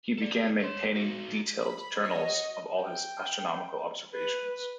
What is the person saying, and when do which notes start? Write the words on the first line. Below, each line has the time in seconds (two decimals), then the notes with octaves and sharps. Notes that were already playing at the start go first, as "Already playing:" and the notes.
He began maintaining detailed journals of all his astronomical observations.
0.18 A4 D5
0.60 C#5 C6
0.96 D#4 F#4
1.59 B5
1.99 F#4 C#5 D#5
2.82 G5
4.14 B4